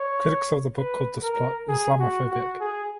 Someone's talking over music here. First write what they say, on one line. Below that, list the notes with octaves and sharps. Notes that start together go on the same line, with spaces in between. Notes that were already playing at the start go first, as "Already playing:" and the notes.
Critics of the book called this plot "Islamophobic".
Already playing: C#5
B4
A#4
G#4
F#4
F#4
G#4